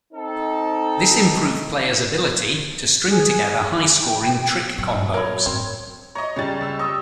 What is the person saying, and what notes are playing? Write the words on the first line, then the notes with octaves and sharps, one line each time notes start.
This improved players' ability to string together high-scoring trick combos.
C4 D#4 A4
G#4
G5
A#2 F#3
A#4 C#5 B5
F#2 A2 C4
C#5 D#5 A#5
C#2 C#3 G3 A6
C#2 E6
D#5 C#6 E6